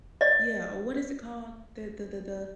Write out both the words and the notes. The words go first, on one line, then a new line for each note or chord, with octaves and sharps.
Yeah, or, what is it called? The the the the
D5 D#5